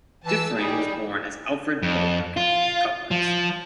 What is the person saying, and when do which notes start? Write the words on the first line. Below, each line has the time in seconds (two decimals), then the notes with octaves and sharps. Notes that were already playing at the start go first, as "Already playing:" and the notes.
Diffring was born as Alfred Pollack in Koblenz.
0.25 E3 A5 E6
0.57 G3 D#4 G#4
1.82 F2
2.37 F4
3.11 F3